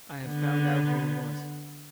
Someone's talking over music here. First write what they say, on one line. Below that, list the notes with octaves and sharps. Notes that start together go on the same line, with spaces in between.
I have found out who it was.
D3 B3